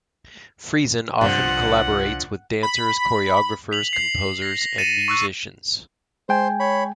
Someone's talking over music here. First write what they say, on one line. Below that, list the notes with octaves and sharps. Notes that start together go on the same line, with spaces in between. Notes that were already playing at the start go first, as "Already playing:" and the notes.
Friesen often collaborates with dancers, choreographers, composers and musicians.
C2 G2 D3 F3 F#5
B5
B6 F7 F#7
C7
A#6 C7
A#6
A6 C#7 D#7 E7
C#6 E6 F#6
G#3 C5 G5 G#5
C#5 B5